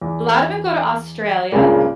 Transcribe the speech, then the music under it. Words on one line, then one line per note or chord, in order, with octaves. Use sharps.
A lot of 'em go to Australia.
E2
C#2 G2 A#2 C#3 G#3 A#3